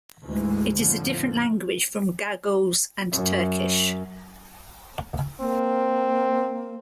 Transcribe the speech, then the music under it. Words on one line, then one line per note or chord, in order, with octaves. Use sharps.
It is a different language from Gagauz and Turkish.
D2 G#2 E3 G#3
F2 A2 D3 F3
F#2
A#3 C4